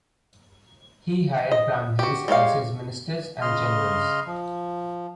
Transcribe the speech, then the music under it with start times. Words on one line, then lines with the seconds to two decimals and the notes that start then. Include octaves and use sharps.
He hired Brahmins as his ministers and generals.
1.52 D#5
1.99 F#4 G4
2.28 G#3 G4 C#5 F5
3.41 C#3 D#5 C6 F6
4.26 F3